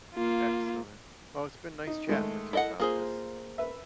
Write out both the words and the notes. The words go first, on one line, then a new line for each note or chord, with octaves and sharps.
Excellent. Well, it's been nice chatting with you about this.
A#3 F4
D#4
D#3 G#3 A3
E4 A4 D#5 F#5
A#3 F4 G#4 C5
B4 E5